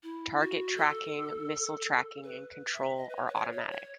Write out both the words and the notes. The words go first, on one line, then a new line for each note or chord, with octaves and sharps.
Target tracking, missile tracking and control are automatic.
E4
F#4
A4
B4
E5
D#5
B4
C#5
B4
C#5
C#5
C#5